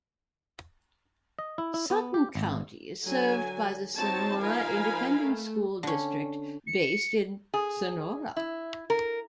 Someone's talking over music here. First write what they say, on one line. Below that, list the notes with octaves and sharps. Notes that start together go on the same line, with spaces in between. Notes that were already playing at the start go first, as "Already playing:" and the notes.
Sutton County is served by the Sonora Independent School District based in Sonora.
D#5
E4
E4
B3
G4
G#1
D3 F#3 G#5
C4 D#4 F#4 C#5 A5
F3 D#4 A#4 F5 G#5 B5
A3
D3 C#4
C#7
G#4
E4
A#4